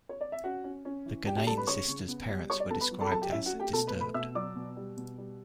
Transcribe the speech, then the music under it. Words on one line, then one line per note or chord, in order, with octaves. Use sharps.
The Genain sisters' parents were described as "disturbed".
C#5
D5
E5
C#4 F#4 F#5
C#4
C#4
E3
D4 G4 G5
G4 G5
G3 A4 A5
B4 B5
C#3 C#5 C#6
C#3
B3
G3
G3 C#5 C#6
D5
B3 A4 A5
B4 B5
F#3
A4 A5
B5
F#3 A4 A5
G4 G5
C#4 E4 E5
F#4 F#5
A3
G4 G5
B2 A4 A5
B4 B5
A3
B4 B5
B2 E5 E6
F#3 D5 D6
B2
G3
B2
G3